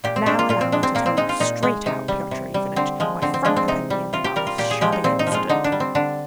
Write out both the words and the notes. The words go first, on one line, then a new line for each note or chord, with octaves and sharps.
Now allow me to tell you straight out, Pyotr Ivanitch, my frank opinion about this shabby incident.
A#2 G4
C4
G#3 D4
F4
A#2 F4
C4
G#3 D4
C4
A#2 A#3
C4
G#3 D#4
F4
A#2 D#4
G#3
C3 D#4
G3
C3
G3
D3 C4
F3 G#3
D3 C4
C4
F3 G#3 D4
C4
C3 D#4
G3
C3 F4
G4
G3 A#4
F4
A#2 G4
G#4
F3 G#3 G4
D#4
A#2 C4
D#4
F3
G#3 F4
D3 D#4
D4
G3
C4
D3 D4